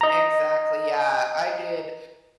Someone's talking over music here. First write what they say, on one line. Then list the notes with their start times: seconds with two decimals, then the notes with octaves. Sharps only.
Exactly, yeah, I did
0.01 D#5 A#5